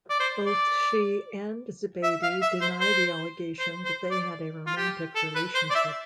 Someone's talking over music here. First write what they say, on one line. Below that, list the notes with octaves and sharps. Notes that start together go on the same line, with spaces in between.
Both she and Zubeidi deny the allegation that they had a romantic relationship.
D5
C5
D5
E5
F5
E5
C5
C5
C5
C5
D5
F4
G4
A4
B4
C5
D5
E5